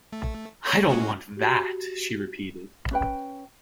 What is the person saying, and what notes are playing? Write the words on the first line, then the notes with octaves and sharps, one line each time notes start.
"I don't want that," she repeated.
A3
C#5
G#3 C#4 F#4
F#4 G4
C#4 B4 G5